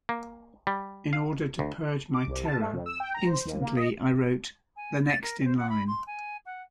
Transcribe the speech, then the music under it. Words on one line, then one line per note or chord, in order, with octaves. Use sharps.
In order to purge my terror, instantly, I wrote 'The Next in Line.
A#3
G3
F5
D2
D6
C2
A5
A3
F2
E6
G5
A#5
C5
D#2
A#3
D#5
G#5
A6
A#4
C5
F#5
B5
C6
G#5
F#5